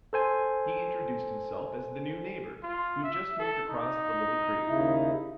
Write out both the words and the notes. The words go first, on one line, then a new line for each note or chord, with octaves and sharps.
He introduced himself as the new neighbor who just moved across the little creek.
A4 C5 G#5
F4
E5
A4
D#4
D#2 C#3 E4